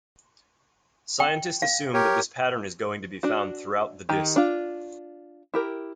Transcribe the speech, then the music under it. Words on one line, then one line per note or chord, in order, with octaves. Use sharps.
Scientists assume that this pattern is going to be found throughout the disk.
G5
F5
G4 A#4 C#5
D4 F#4
D#3 G4
D4 F4
E4 G4 A#4